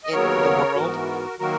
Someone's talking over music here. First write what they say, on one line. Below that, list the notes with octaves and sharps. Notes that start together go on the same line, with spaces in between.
in the world.
D#5
D#2 C#3 F#3 B3 A#4 C#5
G#2 E3 B3 F#4 A#4
D#3 F#3 A#3 F#4 A#4